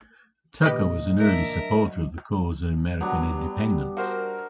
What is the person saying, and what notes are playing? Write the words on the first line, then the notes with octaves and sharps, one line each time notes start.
Tucker was an early supporter of the cause of American independence.
A#2 G4 B4 D#5
A#2 D4 A#4 E5
F#3
F#3 G3 B3 D4
F#4 A#4 C5 C6